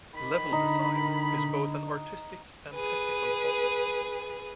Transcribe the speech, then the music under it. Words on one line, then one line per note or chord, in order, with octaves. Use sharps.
Level design is both an artistic and technical process.
D#3 B5
D3 D#4
G#4 B4